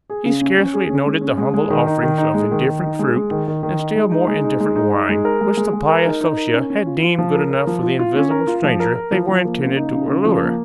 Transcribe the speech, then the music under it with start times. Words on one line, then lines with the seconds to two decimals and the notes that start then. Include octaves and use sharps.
He scarcely noted the humble offerings of indifferent fruit, and still more indifferent wine, which the pious Sosia had deemed good enough for the invisible stranger they were intended to allure.
0.10 G#4
0.25 C#3
0.41 C#4
0.57 C#4
0.73 G#4
0.89 C#4
1.06 G#3
1.21 C#4
1.38 G#3
1.54 G#3
1.70 D#3
1.87 D#4
2.03 D#3
2.18 D#4
2.34 G#3
2.51 D#3
2.67 D#3
2.83 D#4
2.99 G#3
3.16 G#3
3.31 D#3
3.48 D#3
3.63 D#3
3.79 D#4
3.96 G#3
4.12 D#4
4.28 G#3
4.44 D#4
4.60 G#3
4.76 D#4
4.93 D#4
5.09 G#3
5.25 A#4
5.41 G#3
5.57 G#3
5.73 G#3
5.89 A#4
6.05 D#4
6.21 D#4
6.37 A#4
6.54 C#4
6.70 C#4
6.86 F4
7.03 F4
7.18 F3
7.34 A#4
7.51 A#4
7.67 F3
7.83 F4
7.99 F4
8.15 C#4
8.31 A#4
8.47 F4
8.64 F3
8.80 A#4
8.96 A#4
9.12 F3
9.28 F3
9.44 A#3
9.60 C#3
9.77 D#4
9.93 C#3
10.08 C#3
10.25 F3
10.41 A#3